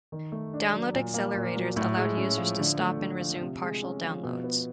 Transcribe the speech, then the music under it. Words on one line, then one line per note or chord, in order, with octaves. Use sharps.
Download accelerators allowed users to stop and resume partial downloads.
D#3
A3
D4
F#3
A#2
A#3
A#2
F#3
A2
G#3
C#4
F3
D3
A3
D3
F3
C3
G#3
C#4
F3
B2
B3